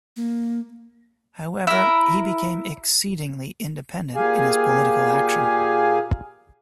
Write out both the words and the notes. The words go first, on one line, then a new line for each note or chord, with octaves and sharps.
However, he became exceedingly independent in his political action.
A#3
E4 A#4
A#2 G4 G#4 F5 G#5